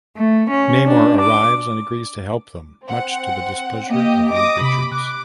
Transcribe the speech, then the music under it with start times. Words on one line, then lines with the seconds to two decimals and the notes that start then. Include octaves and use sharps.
Namor arrives and agrees to help them much to the displeasure of Reed Richards.
0.16 A3
0.49 C#4
0.84 D4
1.18 D6
2.83 C4 F#5
3.90 A#3 G4 D#5
4.31 D#5 D6 D#6 A#6
4.61 C3 B5 D6
4.92 D6 F#6